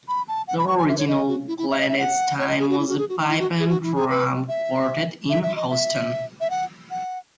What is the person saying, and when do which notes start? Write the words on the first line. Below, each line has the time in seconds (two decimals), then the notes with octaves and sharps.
The original Clandestine was a pipe-and-drum quartet in Houston.
0.08 B5
0.28 A5
0.48 F#5
0.58 B5
0.68 C#6
0.78 G#5
0.88 E5
0.98 C#5
1.08 D#5
1.28 F#4
1.48 E4
1.58 E4
1.70 E5
1.78 D#5
1.89 E5
1.99 F#5
2.39 C#5
2.48 D#5
2.59 G#4
2.69 F#4
2.78 E4
2.88 F#4
2.98 G#4
3.09 F#4
3.19 D#4
3.29 E4
3.39 F#4
3.59 G#4
3.68 F#4
3.83 E4
3.95 G#4
4.10 B4
4.49 E5
5.30 E5
5.43 E5
5.56 D#5
5.69 E5
6.40 E5
6.50 F#5
6.91 F#5